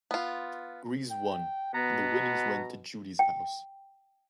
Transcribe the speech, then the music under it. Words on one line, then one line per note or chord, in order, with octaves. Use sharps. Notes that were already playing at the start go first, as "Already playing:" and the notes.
Griese won, and the winnings went to Judi's House.
B3 F4
G5
B2 B3 A#5
G5